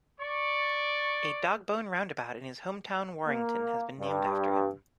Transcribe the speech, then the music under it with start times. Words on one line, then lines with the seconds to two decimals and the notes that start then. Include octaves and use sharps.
A dog-bone roundabout in his home town Warrington has been named after him.
0.20 D5 C#6
3.28 A#3
4.00 G2